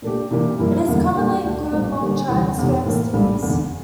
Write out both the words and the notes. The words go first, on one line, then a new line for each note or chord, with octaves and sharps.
It is commonly included among China's famous teas.
A#2 A3 D4 G4
C3 E3 A#3 D4 G4
G2 F3 A#3 E4
E1 E2 D3 G3 A#3
A#2 G3 D4 A4
D2 D3 A3 D4 A4
A#1 A2 G3 C4 F4
D3 G3 A#3 D4 G4
D2 C3 E3 G3
F1 E2 C3
A2 E3 A#3
A#1 A2 G3
F1 E2 D3